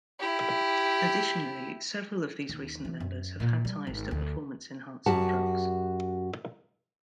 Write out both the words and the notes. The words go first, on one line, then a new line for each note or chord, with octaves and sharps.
Additionally, several of these recent members have had ties to performance-enhancing drugs.
E4 G4
D#2
E3
F#2
A#2
G3
G#1
D2
F#2 F#4 G4 F#5 A5